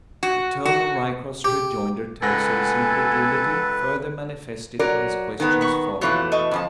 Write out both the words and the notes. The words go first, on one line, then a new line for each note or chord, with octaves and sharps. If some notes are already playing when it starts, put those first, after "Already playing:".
The tone of Ryecroft's rejoinder tells of his incredulity, further manifested by his questions following.
F#4
F#4
G4
C#2 A4 B4 F#5 G#5 A#6
F#3 A#4 D5
D#3 B3
B5 C#6
B2 E3 A3 F4 C#5
A4 D#5 C#6
F2 F3 A5